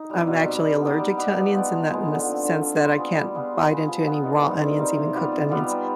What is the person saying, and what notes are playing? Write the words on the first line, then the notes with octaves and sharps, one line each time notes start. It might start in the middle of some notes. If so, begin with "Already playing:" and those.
I'm actually allergic to onions in that in the sense that I can't bite into any raw onions, even cooked onions,
Already playing: D#4
G3 C4
B2
G3 C4
G3
B3 D#4 G4
G3
B3 D#4 G4
F3
G#3 B3 F4
F3
G#3 B3 F4
D3
F3 C4
D3
F3 C4
G3
B3 F4 G#4
G3
B3 F4 G#4
F3
B3 F4 G#4
F3
B3 F4 G#4
D#3
G3 C4 D#4
D#3
G3 C4 D#4
C3
G3 B3 F4
C3
G3 B3 F4
G3